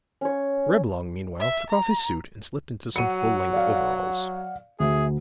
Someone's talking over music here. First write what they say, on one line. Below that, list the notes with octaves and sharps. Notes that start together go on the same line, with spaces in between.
Reblong meanwhile took off his suit and slipped into some full-length overalls.
C#4 C#5
E5
A#5
F#3 F#5 C#7 D#7
D5 F5
D2 G#4 E5